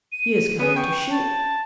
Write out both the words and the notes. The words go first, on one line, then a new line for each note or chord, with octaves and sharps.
He is coming to shoot.
D#7
B3 C#4 G#4 D#7
G5 C#6
A5